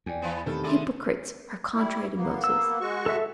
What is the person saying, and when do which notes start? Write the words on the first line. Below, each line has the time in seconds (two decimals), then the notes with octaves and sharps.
Hypocrites are contrary to Moses.
0.06 E2 D5 G5 G#5
0.22 E3 B3
0.46 C3 D#3 A3 G4 A4 B5
0.64 D3 D#4 G#4 D5 E5 C6
1.75 G3 E4
2.17 A#3 B3
2.44 E6
2.81 G#3 F#4 C#6
3.06 A4 E5